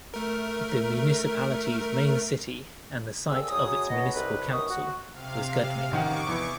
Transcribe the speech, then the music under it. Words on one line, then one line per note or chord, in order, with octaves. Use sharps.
The municipality's main city and the site of its municipal council was Gudme.
A3 A#4
F2 A#2 G#4 E6
F#2 F#3 G#4 C#5 D#6
B2 B3 D#4 C#5 D#5 F#5
C2 B4
F#2 D#3 B3 C#6 D#6
F#4
C3 F5
A1 D#3 F#5 C#6 D6
E2 E3